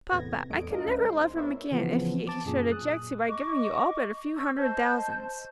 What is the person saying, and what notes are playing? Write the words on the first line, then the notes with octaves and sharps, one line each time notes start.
"Papa, I could never love him again, if he should object to my giving you all but a few hundred thousands."
E2 A2 C3 B3 G#6 A#6
E2 G3 A3 D#5 D7
D4 F4 A#4 D#5
C#2 C#3
G#3 C5 C6
B3 E4 A#4 C#5 D5 E5
C#3 E3 F3 B3
A5 D6
F#2 A#2 G#4
D#6 F#6
D#5 C#6 D6
C#6 E6
C5 D#5 A5 G6